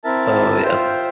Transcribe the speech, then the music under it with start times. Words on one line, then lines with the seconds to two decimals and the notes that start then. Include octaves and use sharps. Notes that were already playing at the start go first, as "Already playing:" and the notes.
Oh, yeah.
0.04 C4 E4 A#4 E5 A5
0.63 F4 C5 E5 G5